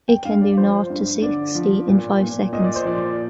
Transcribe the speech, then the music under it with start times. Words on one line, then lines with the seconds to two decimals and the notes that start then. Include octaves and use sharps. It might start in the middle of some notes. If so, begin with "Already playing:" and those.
It can do nought to sixty in five seconds.
0.08 G5
0.25 G2 F5
0.41 D5
0.57 F3 C5
0.90 G2
1.22 D3 D5
1.55 F3
1.88 A#2
2.20 A#2
2.53 A#2 D#5
2.64 D5
2.76 C5
2.85 F3 D5